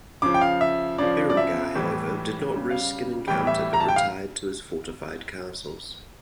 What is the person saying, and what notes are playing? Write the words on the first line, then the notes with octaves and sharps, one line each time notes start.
Berengar, however, did not risk an encounter, but retired to his fortified castles.
C#3 F3 D6
G5
F5
E5
C#3 F3 D5
D5
E5
A2 E3 G3
C#3 G3
F5
A2 E3 G3 G5
E5
A#5
A5
G5
F5